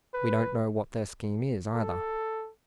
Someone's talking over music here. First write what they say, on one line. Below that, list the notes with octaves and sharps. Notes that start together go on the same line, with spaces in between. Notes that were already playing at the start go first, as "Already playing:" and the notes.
We don't know what their scheme is either.
B4
A4